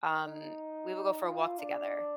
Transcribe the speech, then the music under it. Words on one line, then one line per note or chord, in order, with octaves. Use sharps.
um, we will go for a walk together.
D#4
F4
D4